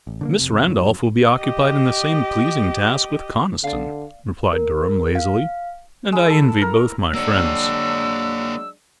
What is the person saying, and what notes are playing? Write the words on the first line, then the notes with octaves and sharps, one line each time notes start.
"Miss Randolph will be occupied in the same pleasing task with Conniston," replied Durham, lazily, "and I envy both my friends."
A1
D3 A3 A#3
F1 C3
F2 G#2 F#3
G4 D#5
D3 D5 F5
A#4
F5
G#3 E4
A4 E6
A#4
F#3 G#3 A#3 D4 C#5 E6